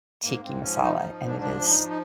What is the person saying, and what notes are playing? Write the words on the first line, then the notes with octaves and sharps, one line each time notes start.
tiki masala and it is
G#2 A#3
G#2 C4
F3 C#4
F3 D#4
D#4
F3
G#2
D4
F3 D4
F3
D#4
F3
D#4